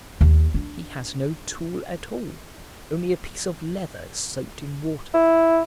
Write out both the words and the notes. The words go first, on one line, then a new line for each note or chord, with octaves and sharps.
He has no tool at all, only a piece of leather soaked in water!
D#2
D4
E4